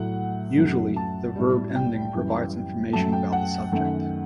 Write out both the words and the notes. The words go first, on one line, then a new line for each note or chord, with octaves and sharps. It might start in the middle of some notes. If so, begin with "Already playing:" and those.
Usually, the verb ending provides information about the subject.
Already playing: A2 F#3 A3 F#5
F#2 F#3 A3
A5
A2 G3
G5
F#2 E3 G3
F#2 F#3 A3 A5
G5
F#5
F#2 D#3 A3